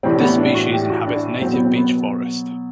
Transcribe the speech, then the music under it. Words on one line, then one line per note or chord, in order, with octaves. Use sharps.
This species inhabits native beech forest.
A2 E3 G3 C4
B3
D4
F#4
G4
F#4
D4
B2 F#3 C4
B3
C4
B3